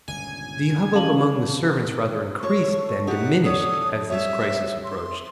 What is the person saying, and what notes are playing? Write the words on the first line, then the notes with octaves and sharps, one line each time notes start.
The hubbub among the servants rather increased than diminished as this crisis approached.
G1 C#2 A#2 G#5
C#4 F5 A5 F#7
A4 C#5 C#6
D#4 E4 G4 F#5
A4 C#5 D5 D#6
G3 C#5 E5
C6